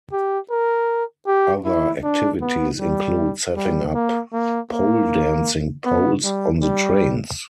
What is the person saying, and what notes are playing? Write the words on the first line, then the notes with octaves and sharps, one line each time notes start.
Other activities include setting up pole-dancing poles on the trains.
G4
A#4
G4
E4
D4
B3
G3
G3
A#3
A#3
A#3
B3
G3
G3